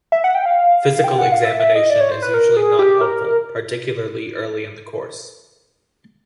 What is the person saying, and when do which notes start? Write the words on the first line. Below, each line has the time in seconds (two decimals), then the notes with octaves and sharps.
Physical examination is usually not helpful, particularly early in the course.
0.12 E5
0.24 F#5
0.35 G5
0.46 F5
1.04 G5
1.18 F#5
1.32 F5
1.45 E5
1.60 E5
1.75 D#5
1.90 D5
2.01 C#5
2.11 C5
2.22 B4
2.34 A#4
2.57 G#4
2.79 G4
3.01 A#4